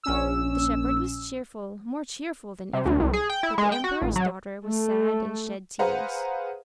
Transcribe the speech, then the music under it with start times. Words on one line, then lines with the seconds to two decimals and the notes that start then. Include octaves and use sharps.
The shepherd was cheerful, more cheerful than ever, but the emperor's daughter was sad and shed tears.
0.03 A#1 C#4 E6
2.73 C3
2.85 D2
3.00 C2
3.13 G#4
3.30 G5
3.43 E4
3.58 G#3
3.72 G5
3.84 F#4
4.02 A1
4.16 F#3
4.66 A3
5.79 G#4 B4 C5 F5 F#5 A#5